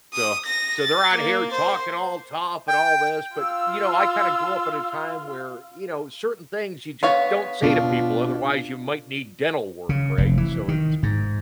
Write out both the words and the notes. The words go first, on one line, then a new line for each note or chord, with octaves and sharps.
So so they're out here talking all tough and all this, but, you know, I kinda grew up at a time where, you know, certain things you just don't say to people, otherwise, you might need dental work, right? So it's
D#6
A#6
A6
A#3
C5
G5
F4 F5 E6
B3 C#5 F5
B2 D4 F4
C#3
F1
E3
D#3
G#2